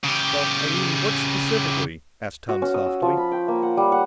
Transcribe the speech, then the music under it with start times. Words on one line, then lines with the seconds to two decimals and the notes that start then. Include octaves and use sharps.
"Well--I mean--what specifically?" asked Tom softly.
0.04 C#3 G4
2.49 F#4
2.62 C#4
2.74 D#6
2.86 E6
3.02 F3
3.17 B5
3.32 G5
3.48 A#3
3.62 F#5
3.77 G3
3.92 F#5